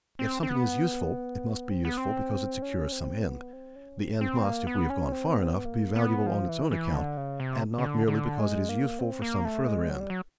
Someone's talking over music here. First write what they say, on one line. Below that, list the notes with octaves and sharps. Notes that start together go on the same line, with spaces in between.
If something is useful, it must be useful because it secures some end; the end must, if we have gone far enough, be valuable on its own account, and not merely because it is useful for some further end.
C4
C4
B3
C4
B3
C4
C#4
C4
B3
C4
C#4
C4
C4
A#3
B3
C#4
C4
B3
C4
B3
A#3
B3
F3
E3
E3
D3
C#3
C3
C#3
D3
D3
G#3
A#3
C4
A#3
A3
G#3
F#3
G3
F#3